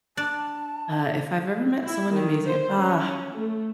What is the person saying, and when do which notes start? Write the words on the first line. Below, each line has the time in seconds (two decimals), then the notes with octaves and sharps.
Uh, if I've ever met someone amazing ah,
0.17 D4 D5 A5
1.84 E4
2.12 D#3
2.44 C5
2.79 C#4
3.34 A3